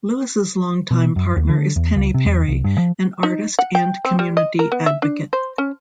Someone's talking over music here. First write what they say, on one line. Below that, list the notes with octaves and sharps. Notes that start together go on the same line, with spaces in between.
Louis' long-time partner is Penny Parry, an artist and community advocate.
B2
F#2
D#2
D3
E2
C#2
C3
E2
C2
G2
F3
D#4
F#5
G5
C4
G3
D#5
A#4
B3
E5
D4
C5
C#4